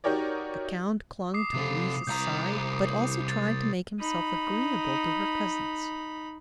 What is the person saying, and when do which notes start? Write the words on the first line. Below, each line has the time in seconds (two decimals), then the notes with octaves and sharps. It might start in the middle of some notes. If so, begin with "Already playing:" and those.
The Count clung to Louise's side, but also tried to make himself agreeable to her cousins.
0.04 D#4 F#4 G4 A#4 C#5 D5
1.34 D6 D#6 C7
1.54 C3 A4
2.07 C2 A#5 D#6 G6
3.29 A6
4.00 D#4 B5